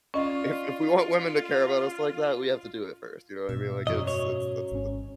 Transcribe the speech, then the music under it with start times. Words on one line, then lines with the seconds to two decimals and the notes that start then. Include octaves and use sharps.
If if we want women to care about us like that, we have to do it first," you know what I mean? Like, it's it's that's
0.14 C#4 F4 D5 D#5
3.49 G#2 B2 E5
3.87 F#2 F#3 D#5
4.07 C#5
4.71 G#1 G#2 C#4